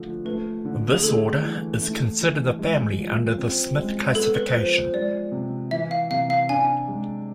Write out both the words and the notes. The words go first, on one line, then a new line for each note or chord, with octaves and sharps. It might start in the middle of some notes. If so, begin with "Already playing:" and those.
This order is considered a family under the Smith classification.
Already playing: D3 F3 A3
A3 B4
D3
G#4
A3 A4
E3
A3
E3
G#3
F3
C4
G#3
B3 A4
B4
C5
F3 B4
C5
G#3 D5
C3
E3 E5
F5
C3 F5
F5
D4 G#5
G#3